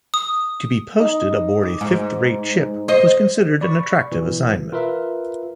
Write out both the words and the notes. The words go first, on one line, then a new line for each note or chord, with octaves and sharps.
To be posted aboard a fifth-rate ship was considered an attractive assignment.
D#6
D#4
D6
G#2
C5 D#5
D5 B5 C#6
B2 E3
F4 A#4 B4 E5